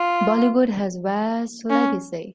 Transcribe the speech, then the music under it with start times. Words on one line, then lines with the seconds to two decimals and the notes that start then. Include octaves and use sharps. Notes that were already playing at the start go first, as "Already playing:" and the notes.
Bollywood has vast legacy.
Already playing: F4
1.70 C#4